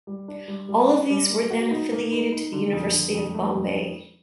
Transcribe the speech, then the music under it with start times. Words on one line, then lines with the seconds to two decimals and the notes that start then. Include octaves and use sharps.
All of these were then affiliated to the University of Bombay.
0.07 G3
0.28 D4
0.48 G3
0.69 G3
0.89 D4
1.10 G3
1.30 A#3
1.50 F#4
1.71 D#4
1.92 A#3
2.12 D#4
2.32 D#4
2.53 D3
2.73 F2
2.94 D3
3.15 F2
3.34 A3
3.55 F2